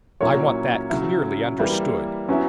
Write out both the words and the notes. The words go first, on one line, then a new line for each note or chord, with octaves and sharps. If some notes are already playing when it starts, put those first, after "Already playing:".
I want that clearly understood.
A#2 F#3 A#3 C#4 E4 C#5
C#3 F#3 C#4 E4
E3 G3 A#3 E4 B4
F#3 B3 C#4 E4